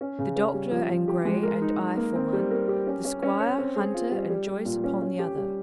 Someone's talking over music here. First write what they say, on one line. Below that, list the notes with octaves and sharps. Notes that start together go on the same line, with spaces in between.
The doctor and Gray and I for one; the squire, Hunter, and Joyce upon the other.
C#4
C#3
C#4
G3
F3
F3
G4
G#3
A#4
D#4
D#4
A#3
C4
G3
A#4
G4
C#4
C#4
C#4
C#5
C4
G#4
F4
G3
G3
G3
A#2
C#4
C#4
G4
G3